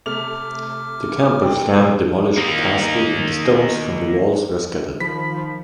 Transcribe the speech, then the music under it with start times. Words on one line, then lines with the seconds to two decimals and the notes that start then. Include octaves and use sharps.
The Campbell clan demolished the castle, and the stones from the walls were scattered.
0.06 C3 A3 D6 F6 F7
1.41 F1 G5
1.79 A#2 C4
2.38 A#3 D#4
5.00 D#3 F3 B5 B6